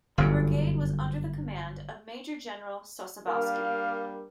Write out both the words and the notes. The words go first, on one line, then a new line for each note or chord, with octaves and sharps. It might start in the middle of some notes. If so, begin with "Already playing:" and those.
The brigade was under the command of Major General Sosabowski.
G1 F#2
G3 A#3 D4 A#4 F5